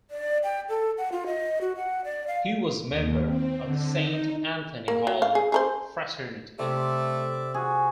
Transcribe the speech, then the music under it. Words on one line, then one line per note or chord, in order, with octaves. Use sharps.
He was a member of the Saint Anthony Hall fraternity.
D5
G5
A4
F#5
F4
D#5
F#4
F#5
D5
F5
D#2
C4
D3
D#4
A#3
F#3
F5
G#4
G#4 A#4 C5
C3 A3 D5 E5
F#4 G#4